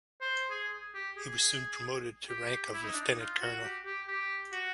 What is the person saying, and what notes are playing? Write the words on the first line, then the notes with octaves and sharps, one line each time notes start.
He was soon promoted to rank of Lieutenant Colonel.
C5
G#4
G4
G#4
G4
E4
D#4
D4
D#4
F4
F#4
G4
G4
G4
F#4